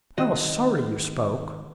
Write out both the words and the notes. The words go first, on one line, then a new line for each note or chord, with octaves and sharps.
I was sorry you spoke.
D#3 F#4 D#5